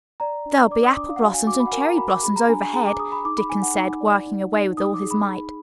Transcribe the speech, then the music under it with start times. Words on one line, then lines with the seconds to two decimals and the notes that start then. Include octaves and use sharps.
"There'll be apple blossoms an' cherry blossoms overhead," Dickon said, working away with all his might.
0.20 D5 A#5
0.46 D4
0.71 D5 D6
0.83 D#6
0.96 D4 D6
1.09 F5
1.16 F#5
1.21 F#4 F5
1.34 G#5
1.47 F#4 D6
1.60 B5
1.67 F#5
1.72 A#4 G#5
1.85 A#5
1.97 F#4 B5
2.10 D6
2.23 G#4 B5
2.36 A#5
2.49 D4 G#5
2.62 G#5
2.74 G#4 A#5
2.87 D6
2.99 G#4 D#6
3.12 B5
3.25 D#4 D6
3.38 B5
3.50 D#4 G#5
3.62 F#5
3.75 D#4
4.01 D5
4.26 D#4
4.52 D#4
4.77 D#4 D#6
4.94 D6
5.02 G#4
5.11 B5
5.28 D#4